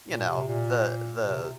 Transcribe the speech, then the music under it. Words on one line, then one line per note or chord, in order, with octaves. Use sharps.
you know, the the
A#2
C3
A#2
C3
C3